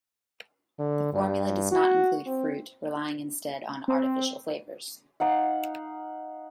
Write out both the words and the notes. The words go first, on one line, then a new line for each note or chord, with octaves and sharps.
The formula does not include fruit, relying instead on artificial flavors.
D3
G2
F#4
C4
C4
D#4 F5 F#5